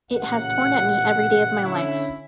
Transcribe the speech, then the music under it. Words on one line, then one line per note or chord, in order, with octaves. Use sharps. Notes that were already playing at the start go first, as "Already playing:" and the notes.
It has torn at me every day of my life.
A1 A#2 C#3 F4 F#5
D3 C#4 E4